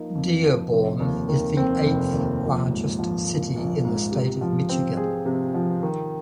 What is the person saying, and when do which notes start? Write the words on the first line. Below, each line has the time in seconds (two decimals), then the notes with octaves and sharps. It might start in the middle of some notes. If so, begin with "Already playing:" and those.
Dearborn is the eighth largest city in the State of Michigan.
Already playing: F3 A#3 D#4
0.15 F2
0.44 F3
0.73 F1
1.00 D#2
1.28 D#3
1.57 C4
1.86 F1
2.14 D#2
2.43 A#1
2.70 G#2
2.99 F3
3.28 A#1
3.56 A#1
3.85 G#2
4.12 C3
4.41 F3
4.69 C4
4.97 G#4
5.26 C3
5.54 F3
5.83 D#3